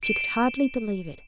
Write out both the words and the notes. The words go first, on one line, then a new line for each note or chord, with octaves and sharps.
She could hardly believe it.
D7 E7 G7